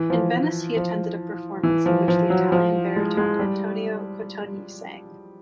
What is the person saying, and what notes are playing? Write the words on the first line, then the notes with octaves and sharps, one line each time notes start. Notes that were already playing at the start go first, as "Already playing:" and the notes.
In Venice he attended a performance in which the Italian baritone Antonio Cotogni sang.
Already playing: E3
F3
F3
E3
F3
F3
F#3
F3
G#3
G#3
G3